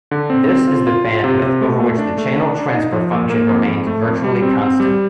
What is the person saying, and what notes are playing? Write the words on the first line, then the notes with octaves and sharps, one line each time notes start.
This is the bandwidth over which the channel transfer function remains virtually constant.
D3
C4
C4
F4
F4
F4
C3
C3
A3
A3
D4
A3
D4
D4
D#4
F3
A#2
A#3
F2
F2
A3
F2
G3
C4
C4
G3